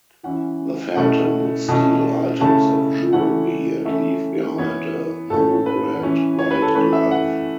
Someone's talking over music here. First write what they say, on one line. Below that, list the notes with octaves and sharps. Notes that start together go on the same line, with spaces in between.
The Phantom would steal items of jewelery and leave behind a monogrammed white glove.
E3 C#4 E4 F#5
B2 A3 C#4 E4 F#5
B2 A3 C#4 E4 A5
C#3 A3 C#4 E4 A5
E3 A3 C#4 E4 F#5
E3 A3 C#4 E4 E5
E3 B3 E4 C#5
A2 A3 C#4 A4
B4
E3 C#4 E4
C#5
B4
A4
E3 A3 C#4 B4
E5
F#5